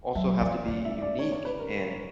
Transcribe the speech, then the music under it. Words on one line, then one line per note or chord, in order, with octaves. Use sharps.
also have to be unique, and
F#3 E5
E3 D5
D3 D5
E5
D5
C#5
C#5
B4
A#4